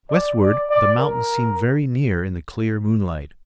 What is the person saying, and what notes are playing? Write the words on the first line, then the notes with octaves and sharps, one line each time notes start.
Westward, the mountains seemed very near in the clear moonlight.
D5
D5
D5
A#4